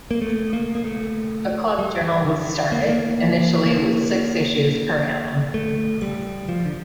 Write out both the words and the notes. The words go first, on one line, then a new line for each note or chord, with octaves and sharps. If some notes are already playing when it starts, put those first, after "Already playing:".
A Club Journal was started, initially with six issues per annum.
A#3
A3
A#3
A#3
A3
G3
E3
D3
A#3
A3
A#3
A#3
A3
G3
F3
D3